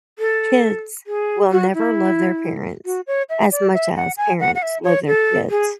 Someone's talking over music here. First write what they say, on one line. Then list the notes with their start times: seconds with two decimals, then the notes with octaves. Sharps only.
Kids will never love their parents as much as parents love their kids.
0.19 A4
1.07 G#4
1.51 F#4
1.74 E4
2.85 F#4
3.07 C#5
3.30 E5
3.52 D5
3.74 E5
3.96 F#5
4.17 G#5
4.40 F#5
4.55 F#5
4.62 E5
4.84 C#5
5.07 A4
5.50 G#4